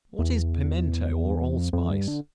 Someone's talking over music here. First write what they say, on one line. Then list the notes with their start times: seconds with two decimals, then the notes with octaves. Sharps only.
What is Pimento or Allspice?
0.19 E2
1.56 F2
1.73 F2
1.91 G2
2.08 D3